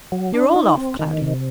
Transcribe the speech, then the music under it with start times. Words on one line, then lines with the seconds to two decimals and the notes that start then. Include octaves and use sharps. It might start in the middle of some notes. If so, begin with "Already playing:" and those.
You're all off, Cloudy.
0.12 F#3
0.34 D4
0.56 D#4
0.77 C4
0.99 D#3
1.22 C3